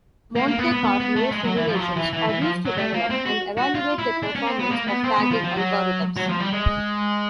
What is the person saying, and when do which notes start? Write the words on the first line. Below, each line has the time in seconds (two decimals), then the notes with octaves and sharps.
Monte Carlo simulations are used to develop and evaluate the performance of tagging algorithms.
0.36 A#3
0.48 A#3
0.59 B3
0.72 B3
0.84 B3
1.00 B3
1.16 A3
1.31 G#3
1.44 F#3
1.57 E3
1.69 F3
1.75 F#3
1.81 F3
1.97 E3
2.13 E3
2.29 E3
2.41 F3
2.65 F#3
2.77 A3
2.94 A#3
3.10 C4
3.26 F#4
3.58 F#4
3.75 F4
3.99 E4
4.23 D4
4.35 C#4
4.47 C4
4.59 B3
4.71 A#3
4.87 B3
5.04 C4
5.19 B3
5.31 F3
5.44 F3
5.57 F#3
6.17 F#3
6.29 F3
6.40 G3
6.53 G#3